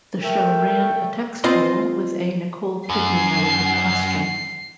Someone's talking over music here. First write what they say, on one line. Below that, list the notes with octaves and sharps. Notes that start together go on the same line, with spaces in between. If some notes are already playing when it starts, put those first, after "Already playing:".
The show ran a text poll with a Nicole Kidman related question.
A3 A#4 G5
C4 F4 C5 D#5 C6
F#2 C7